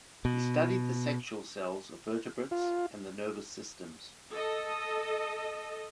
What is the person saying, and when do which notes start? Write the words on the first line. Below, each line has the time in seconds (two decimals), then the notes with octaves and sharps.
He studied the sexual cells of vertebrates and the nervous systems.
0.25 B2
2.51 F4
4.33 A4 D#5